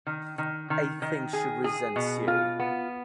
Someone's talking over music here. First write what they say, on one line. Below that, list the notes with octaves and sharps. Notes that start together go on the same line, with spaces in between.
I think she resents you.
D#3
D#3
D#3
D#3
G#4
G#4
B2
F4
B3